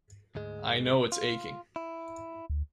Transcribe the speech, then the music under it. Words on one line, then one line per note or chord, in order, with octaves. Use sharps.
I know it's aching.
D2 G#2 G#3
F4
E4
D2